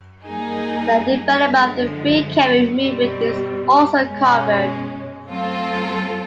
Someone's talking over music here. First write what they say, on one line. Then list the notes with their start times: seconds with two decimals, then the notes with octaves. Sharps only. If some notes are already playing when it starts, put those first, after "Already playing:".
The development of the Free Kevin movement is also covered.
0.24 G3 A#3 D#4 G#4
1.50 D3 F3 G#3
2.76 B2 G3 C4
4.02 B2 G#3 C#4
5.28 F#3 A3 C4 F4 A4